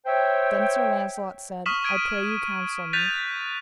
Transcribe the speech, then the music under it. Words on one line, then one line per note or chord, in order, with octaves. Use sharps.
Then Sir Launcelot said: I pray you counsel me.
C5 C#5 E5 G5
C#6 D#6 F6 B6 E7 F#7
G#6 D7 D#7
F#6 G6 A6 B6 D#7 F7